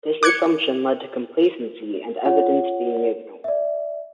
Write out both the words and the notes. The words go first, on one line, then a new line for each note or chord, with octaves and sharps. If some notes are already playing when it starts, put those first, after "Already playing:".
This assumption led to complacency and evidence being ignored.
D6 F#6 G#6 C#7
F4 C#5 F#5
D5 E5